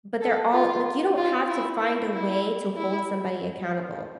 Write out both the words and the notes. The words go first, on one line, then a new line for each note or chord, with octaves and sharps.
but they're all like you don't have to find a way to hold somebody accountable.
A4
F4
F4
E4
E4
E4
E4